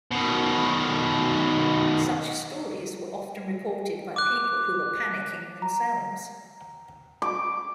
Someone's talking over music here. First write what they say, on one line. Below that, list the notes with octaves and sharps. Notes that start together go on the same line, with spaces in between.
Such stories were often reported by people who were panicking themselves.
B2 D#3
D6 F#6
A#5
D6